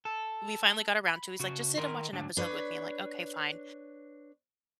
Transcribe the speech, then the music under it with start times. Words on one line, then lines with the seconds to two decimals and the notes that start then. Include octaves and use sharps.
we finally got around to it, he's like, "Just sit and watch an episode with me." I'm like, "Okay, fine."
0.05 A4
1.08 B5
1.40 C#3 F#4
1.78 D#3 A#4 C6
2.13 D2 G#2 F#3 D4
2.37 D4 B4 C#5